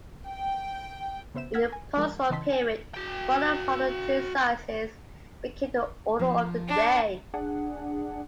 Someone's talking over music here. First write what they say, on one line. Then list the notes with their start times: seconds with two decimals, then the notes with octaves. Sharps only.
In the postwar period, smaller model train sizes became the order of the day.
0.26 G5
1.35 C#3 B3 C5 E5 E7
1.54 F#5 E6 F6 G#6 A#6 B6
1.73 G#5
1.97 F3 G#3 A#4 D6
2.30 C#3 E3 D#5 A5 C6 B6
2.52 G#5
2.94 F#4 G5
6.19 F3
6.68 D4
7.34 D4 G#4 F#5